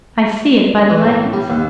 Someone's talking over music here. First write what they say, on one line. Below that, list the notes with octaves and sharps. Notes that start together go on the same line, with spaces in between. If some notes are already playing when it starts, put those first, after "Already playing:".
I see it by the likeness.
E3
A2
G3
D#2